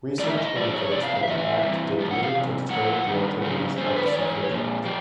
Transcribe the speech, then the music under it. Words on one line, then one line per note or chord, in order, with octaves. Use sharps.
Research indicates that the Act did little to deter the activities of the suffragettes.
A2 E3 D5
E5
D#5
G#2 F3 D5
C#5
F2 C3 D5
F5
F5
E5
A2 E3 D#5
E5
G2 E3
G#2 F3
F#5
F5
E2 C3
A2 F3 F#5
G2 D#3
F#2 C#3 F3
G2 D3 F3 C5
B4
D5
G#2 E3 C#5
A#2 F3
F3 G4